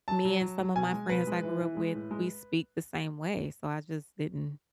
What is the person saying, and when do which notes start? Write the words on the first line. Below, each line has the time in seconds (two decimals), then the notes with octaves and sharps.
me and some of my friends I grew up with, we speak the same way, so I just didn't
0.08 F#3 A5
0.25 F#3
0.41 F#3
0.59 F#3
0.76 B2 G#5
0.93 G#3
1.09 B2 B4
1.27 G#3
1.43 E3
1.61 E3
1.77 G#3
1.95 A2
2.11 G#3